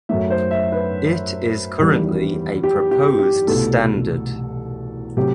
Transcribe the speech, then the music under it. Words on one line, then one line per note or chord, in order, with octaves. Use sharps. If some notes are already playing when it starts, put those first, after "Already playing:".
It is currently a Proposed Standard.
F#2 F#3 A3 E5
C5
E5
B4
E2 D#3 G3
G4
G4
G4
C2 B2 A3 A4
C3 F#3 A3 G4